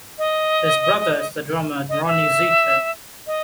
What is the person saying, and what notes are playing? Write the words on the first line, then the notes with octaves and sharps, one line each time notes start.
His brother is the drummer Ronnie Zito.
D#5
D#5
E5
D#5